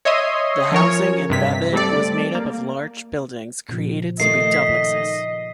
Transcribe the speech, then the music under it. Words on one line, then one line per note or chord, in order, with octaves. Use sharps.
The housing in Babbitt was made up of large buildings created to be duplexes.
C#5 D#5 E5 C6 D#6
F3 C#4 A#4 C#5
G2 C3 B6
G3 A3 C4 A4 D5
A#3
A#2 C#3 F3
D#3 A3 D#5 C7
B6